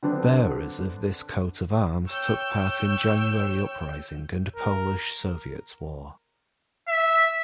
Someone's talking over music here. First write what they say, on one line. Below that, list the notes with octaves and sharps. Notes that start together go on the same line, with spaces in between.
Bearers of this Coat of Arms took part in January Uprising and Polish-Soviet War.
D3 F#3 B3 C4 D4
C#5 G5 E6 G6
A#4
E5